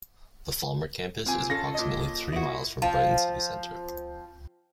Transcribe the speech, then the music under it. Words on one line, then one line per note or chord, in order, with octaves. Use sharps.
The Falmer campus is approximately three miles from Brighton city centre.
A#2 C4 G#5
C#4 F4 A4 A#6
A#2 D#5
E4 F#4
F3 C4